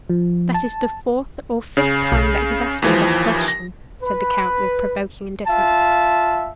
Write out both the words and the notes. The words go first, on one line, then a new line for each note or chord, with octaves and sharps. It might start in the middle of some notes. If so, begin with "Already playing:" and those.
"That is the fourth or fifth time that you've asked me that question," said the count, with provoking indifference.
F3
A5
C#3
B1
D#2 E3 F3
A#6
B4
F4 E5 F5 A5